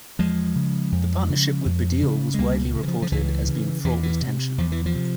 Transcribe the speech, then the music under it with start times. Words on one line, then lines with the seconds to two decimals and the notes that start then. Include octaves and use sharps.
The partnership with Baddiel was widely reported as being fraught with tension.
0.19 E2 F3 G#3
0.55 C#3
0.92 F2
1.29 C#3
1.66 F2
2.02 C#3
2.34 G#3
2.38 C#2 G3 A#3
2.75 C#3
2.83 E3
2.88 F3
3.02 F3
3.12 C#2 E3
3.48 C#3
3.84 E2 E3
4.03 E3
4.21 C3
4.58 E2 F3
4.72 E3
4.86 F3
4.95 C3